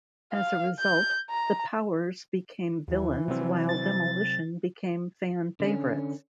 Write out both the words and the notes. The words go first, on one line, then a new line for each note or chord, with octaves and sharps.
As a result, the Powers became villains while Demolition became fan favorites.
F5
G6
A#5
D#2 E3
C3 F#3 C4
A6
D3 C#4